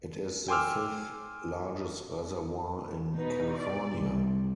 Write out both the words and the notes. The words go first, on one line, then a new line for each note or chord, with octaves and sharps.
It is the fifth largest reservoir in California.
G5 G#5 C6 D6 E6 F6
B2 D#4 B4
D5
C2